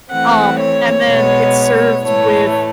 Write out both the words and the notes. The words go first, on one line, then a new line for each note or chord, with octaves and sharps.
Um, and then, it's served with
E3 A3 C4 F#5
C#5
B2 G#3 B3
A2 E3 A3 C#5